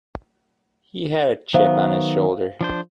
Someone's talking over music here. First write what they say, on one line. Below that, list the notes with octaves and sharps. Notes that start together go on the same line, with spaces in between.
He had a chip on his shoulder.
D#3 F#3 B3 C5 E5 F5
F3 D4 C5